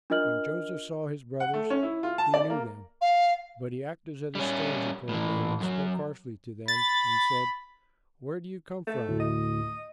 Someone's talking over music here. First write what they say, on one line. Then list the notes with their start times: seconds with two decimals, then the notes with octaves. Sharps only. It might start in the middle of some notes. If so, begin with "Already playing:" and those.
When Joseph saw his brothers, he knew them; but he acted as a stranger toward them and spoke harshly to them and said, "Where do you come from?"
0.10 D4 F4 A#4 D#5 F6 F#7
1.40 F#5
1.53 A3
1.70 C#4
1.83 E4
2.03 F4
2.18 A5
2.34 D5
2.50 A#3
3.01 F5
4.35 G3 C#4
5.09 A2 E3
5.60 F#2 F#3
6.68 B5 A6
8.87 A3
9.08 D2 A2
9.20 D#5